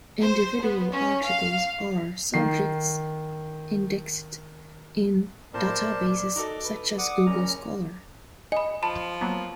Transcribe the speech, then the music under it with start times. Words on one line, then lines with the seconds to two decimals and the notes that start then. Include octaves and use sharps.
Individual articles are subject-indexed in databases such as Google Scholar.
0.20 C5
0.62 B3
0.93 C#4
1.23 F5
2.34 D#3 C7
5.54 A#2 A#4 C5 D5 A5 B5
6.36 D#4 F#4 A4 D6
6.65 B4
6.98 D5 F#5 D6 D#6
7.26 F#1 C#4 A#5
8.52 D#5 G#5 B5
8.83 F3 A5 B5
9.21 F#3 A#3 B3